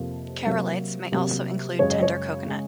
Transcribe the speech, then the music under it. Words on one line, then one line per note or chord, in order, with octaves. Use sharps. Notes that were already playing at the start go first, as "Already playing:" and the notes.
Keralites may also include tender coconut.
Already playing: F2 C3 F3 A#3
C3 F#3 A#3
C3 F#3 A#3
F#2 C#3 G#3 C#5
D#5
C#5
C#3 G#3